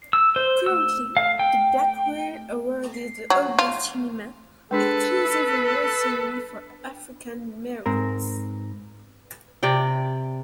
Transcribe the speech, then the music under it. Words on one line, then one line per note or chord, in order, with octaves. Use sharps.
Currently, the Black Reel Awards is the oldest cinema-exclusive awards ceremony for African-Americans.
E6
C5
E6
F5
G5
F#3
F4
G#3 D4 G#4 A4 B4
G#2 C4 A#4
C3 D5 G5